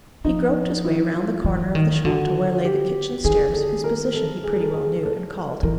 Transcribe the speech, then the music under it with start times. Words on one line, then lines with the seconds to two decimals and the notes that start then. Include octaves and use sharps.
He groped his way round the corner of the shop to where lay the kitchen stairs, whose position he pretty well knew, and called.
0.24 F3 D#4
0.85 E4
1.14 F4
1.45 E3
1.75 D#3
2.05 D3 F#4
2.65 G4
3.25 D#3 G#4
3.53 A4
3.84 A#4
4.14 A4
4.44 G#4
4.59 A4
4.74 G#4
5.03 A4
5.63 E3 A#4